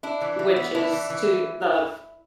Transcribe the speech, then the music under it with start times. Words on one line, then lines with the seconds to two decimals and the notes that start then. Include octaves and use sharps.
witches to the
0.03 D4 E4
0.21 E3
0.39 E3
0.56 B3
0.75 D4 E4
0.93 E3
1.10 E3